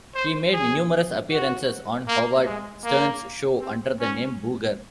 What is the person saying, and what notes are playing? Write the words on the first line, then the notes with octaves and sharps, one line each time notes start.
He made numerous appearances on Howard Stern's show under the name Booger.
C5
G#4
F#4
A#3
G#3
A#3
C4
C#4